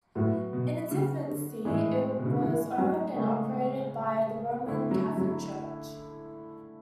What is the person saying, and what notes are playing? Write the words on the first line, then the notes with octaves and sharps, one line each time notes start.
In its infancy, it was owned and operated by the Roman Catholic Church.
A2 F#3 B3 F#4
B2
C#3
D3
A2 E3 G#3 D4
B2
C#3
D3
E3
F#3
C#3 G#3 A3 C#4
D3 A3 E4
F#3
F#3